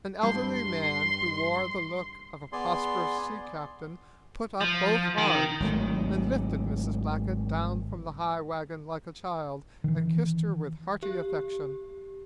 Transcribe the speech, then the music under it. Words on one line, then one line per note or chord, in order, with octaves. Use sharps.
An elderly man who wore the look of a prosperous sea-captain put up both arms and lifted Mrs. Blackett down from the high wagon like a child, and kissed her with hearty affection.
G2 C6
B3 G#4 D5 C6
F3
D#3
G#1 F#3 A3
D#3 E3
G4